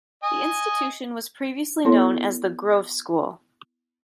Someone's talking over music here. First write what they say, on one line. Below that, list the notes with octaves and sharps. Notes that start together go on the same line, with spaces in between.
The institution was previously known as the Grove School.
D#5 G#5
B3 E4 A4 C#5 C6